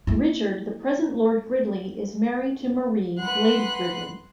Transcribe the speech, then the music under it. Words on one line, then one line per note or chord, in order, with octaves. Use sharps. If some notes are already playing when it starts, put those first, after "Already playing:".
Richard, the present Lord Gridley, is married to Marie, Lady Gridley.
A#3 E4
B4 F#5 C6 F#6